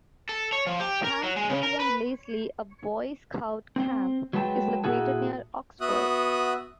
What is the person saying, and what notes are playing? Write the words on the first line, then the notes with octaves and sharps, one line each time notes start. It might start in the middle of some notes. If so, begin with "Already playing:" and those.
Camp Freeland Leslie, a Boy Scout camp, is located near Oxford.
A4
C#5
F3
G4
A#4
F#3
G#3
C#3
A#4
B4
C4 C5
F#3 G#3 B4 G5 A5
A#2 E4 F#4 G#4 A4
B3 F#4 E5 D#6 F#6